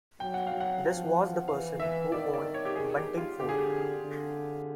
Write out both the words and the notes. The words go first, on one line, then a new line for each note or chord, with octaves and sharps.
This was the person who owned Buntingford.
F#3 G5
F#5
F5
F#3
F#5
F3
E3 F5
E3 E5
D#3 D5
D5
C#5
G4
G#4
G4
F4
D3 G4
G#4
G4
D3